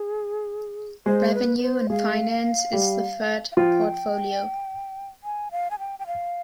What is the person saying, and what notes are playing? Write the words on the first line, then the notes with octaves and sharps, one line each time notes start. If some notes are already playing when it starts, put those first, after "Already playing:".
Revenue and Finance is the third portfolio.
Already playing: G#4
G#3 G#4 C5
B4
B4
C5
G#3 G#4 F5
G3 G4
F5
F3 F4 G5
G#5
F5
G#5
G5
G5
F5